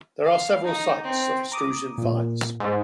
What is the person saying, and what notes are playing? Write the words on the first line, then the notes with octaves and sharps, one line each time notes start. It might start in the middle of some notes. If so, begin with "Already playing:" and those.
There are several sites of Etruscan finds.
F5
D#4
C4
A#5 D6 D#6
A#2
G#2